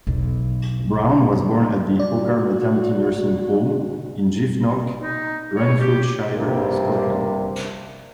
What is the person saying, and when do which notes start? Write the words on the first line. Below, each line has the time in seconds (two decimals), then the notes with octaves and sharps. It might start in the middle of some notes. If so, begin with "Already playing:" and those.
Brown was born at the Orchard Maternity Nursing Home in Giffnock, Renfrewshire, Scotland.
0.07 B1 E2
2.00 F#4 D5
5.02 D#4
5.56 C#5
5.80 G4
6.35 A#1 G2 C3 G3 A#3 D4